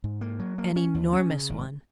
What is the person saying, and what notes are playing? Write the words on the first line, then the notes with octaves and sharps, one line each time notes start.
"An enormous one."
G#2
A#3
F#3
A#3
C#4
D#2
C#4
C#3
G#1